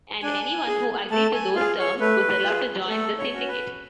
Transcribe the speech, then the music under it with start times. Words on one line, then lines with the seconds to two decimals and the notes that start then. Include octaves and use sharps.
And anyone who agreed to those terms was allowed to join the syndicate.
0.23 D4 G#5
0.68 G#4
1.11 A3 A5
1.34 G#5
1.55 F4 F5
1.61 G#4
1.79 C#5
2.00 A3 B4
2.44 F4 G#4
2.88 A3 A4
3.18 C#5
3.33 C#4 F#4
3.48 B4